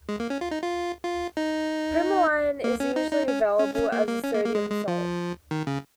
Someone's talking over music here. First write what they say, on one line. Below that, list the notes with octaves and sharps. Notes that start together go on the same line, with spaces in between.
Primuline is usually available as a sodium salt.
G#3
A#3
C#4
F4
D#4
F4
F4
D#4
A#3
C#4
D#4
D#4
C#4
C#4
C#4
A#3
A#3
C#4
A#3
A#3
G#3
G#3
F3
D#3
C#3